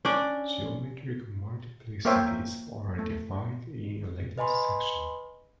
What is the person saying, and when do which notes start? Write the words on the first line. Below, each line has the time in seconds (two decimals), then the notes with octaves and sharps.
Geometric multiplicities are defined in a later section.
0.05 C#4 D4 D5
2.05 A#3 A#4 C5 C#5 E5 G5
2.99 A3
4.38 B4 D#5 G#5 B5 C6